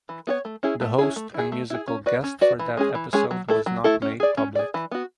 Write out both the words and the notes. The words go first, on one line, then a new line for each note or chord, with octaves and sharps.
The host and musical guest for that episode was not made public.
E3
B3 F#4 C#5
A3
C#4 E4 G#4
A3
C#4 E4 G#4
A3
E4 G#4
A3
E4 G#4
C#4
F#4 B4 D5
C#4
F#4 B4 D5
E3
G#3 C#4 G#4
E3
G#3 C#4 G#4
F#3
A3 E4 A4
F#3
A3 E4 A4
C#4
G#4 D5
C#4
G#4 D5
E3
B3 F#4